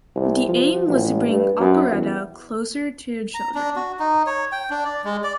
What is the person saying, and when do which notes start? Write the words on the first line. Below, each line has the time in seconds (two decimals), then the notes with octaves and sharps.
The aim was to bring operetta closer to the children.
0.16 C2
0.48 F3
0.88 A1
1.28 G2
1.60 F#2
1.91 E2
3.34 A#5
3.54 D4
3.76 F#4
3.99 D#4
4.26 C#5
4.52 G5
4.70 D4
4.85 D5
5.04 G#3
5.24 D5